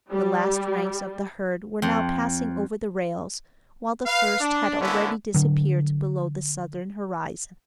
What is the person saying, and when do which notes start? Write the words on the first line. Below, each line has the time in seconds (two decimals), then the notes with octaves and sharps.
The last ranks of the herd were now passing over the rails, while the first had already disappeared below the southern horizon.
0.10 G3
1.82 F2
4.06 B4 F5
4.40 D4
4.81 D3 A#3 B3 C#4 E4
5.34 D3 F#3